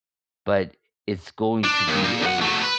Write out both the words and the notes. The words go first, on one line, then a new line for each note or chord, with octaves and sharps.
But, it's going to be a
D4
D#2
A#2
B1 F#5
F#3 A3
B4